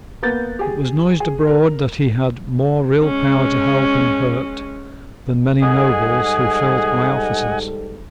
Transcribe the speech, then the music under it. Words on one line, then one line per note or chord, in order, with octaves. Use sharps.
It was noised abroad that he had more real power to help and hurt than many nobles who filled high offices.
A#3 B3 G6 A6
G4 G#4
G#4
A#4
G#3 C#4
G#2 G3 G#4 A4 D#5 F#5 G#5